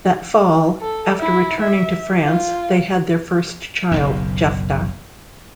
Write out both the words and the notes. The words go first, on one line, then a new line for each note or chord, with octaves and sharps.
That fall, after returning to France, they had their first child, Jephta.
A4
E4
E5
F4
F#1 B1 F#2